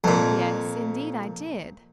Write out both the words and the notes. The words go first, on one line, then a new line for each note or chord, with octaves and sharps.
"Yes, indeed, I did."
F2 A#2